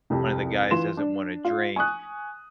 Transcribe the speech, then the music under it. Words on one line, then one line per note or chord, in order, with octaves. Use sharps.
one of the guys doesn't wanna drink,
C2 F2 G4
E3 F4 C6 E7
D4
F4
G#5 C#6 D#6 F#6